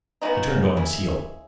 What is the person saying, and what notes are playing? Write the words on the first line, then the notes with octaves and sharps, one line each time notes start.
He turned on his heel.
C#3 G#3 B3 D#4 F#4
E4 G#4